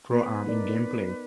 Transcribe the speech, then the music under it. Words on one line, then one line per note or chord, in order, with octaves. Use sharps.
Pro-Am in gameplay.
B3 B4
D#4 A#4 D5
B3